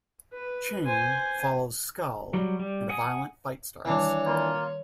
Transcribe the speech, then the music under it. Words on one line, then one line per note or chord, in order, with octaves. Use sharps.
Ching follows Skull and a violent fight starts.
B4
C5 G#5
F#3 G3
G3
F#5 G#5 D#6
D#3 E3 G3 D4 C#5
D#3 A#3 F4